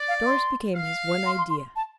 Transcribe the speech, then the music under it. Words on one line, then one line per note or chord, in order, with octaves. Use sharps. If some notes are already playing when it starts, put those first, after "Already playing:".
Doris became his one idea.
Already playing: D5
F5
C6
F5
C6
C6
C6
A5